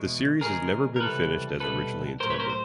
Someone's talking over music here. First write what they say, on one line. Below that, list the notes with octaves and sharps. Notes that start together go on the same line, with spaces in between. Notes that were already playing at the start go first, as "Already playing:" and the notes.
The series has never been finished as originally intended.
Already playing: E2 B2 G#3
D2 C#3 F3 G#3 G#4 A#4
A#4
C#2 C3 E3 G3 A4 B4
C2 B2 G3 A4 B4
A2 F#3 A3 A#4 C5
B4 C#5
A#4 C5
C5